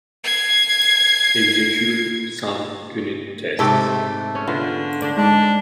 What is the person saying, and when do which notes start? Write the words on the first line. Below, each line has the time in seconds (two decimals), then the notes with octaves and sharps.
Execute some unit tests.
0.24 G#6 C7
3.59 G#2 C3 A3 A4 G5
4.35 C#4
4.47 D3 B3 F4
5.02 D3 D4
5.17 G#2 G#3 D4